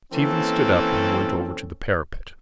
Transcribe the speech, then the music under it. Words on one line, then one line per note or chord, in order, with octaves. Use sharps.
Stephen stood up and went over to the parapet.
E3 A#3 C4 C#4 A4